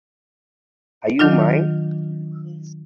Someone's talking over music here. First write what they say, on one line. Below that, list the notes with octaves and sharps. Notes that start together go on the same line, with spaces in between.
Are You Mine?
D#3 F#3 D4 F4